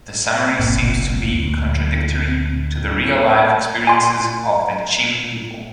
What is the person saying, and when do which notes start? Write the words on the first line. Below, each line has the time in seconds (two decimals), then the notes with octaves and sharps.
The summary seems to be contradictory to the real-life experiences of the Chin people.
0.59 F#1 B1 A#2
1.34 D2
3.87 G#5 C6